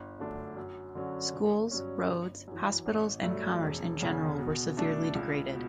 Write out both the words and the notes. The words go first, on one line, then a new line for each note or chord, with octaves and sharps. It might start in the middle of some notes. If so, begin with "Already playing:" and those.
Schools, roads, hospitals and commerce in general was severely degraded.
Already playing: G1
F#2 D3 A3 D4
F#2
D3 F#3 C#4 F#4
G1
G2 F#3 C#4
G1
F#2 E3
A1
G2 F#3 A3
E1
E2 C#3
B2
A3 D4 A4
C#2
B2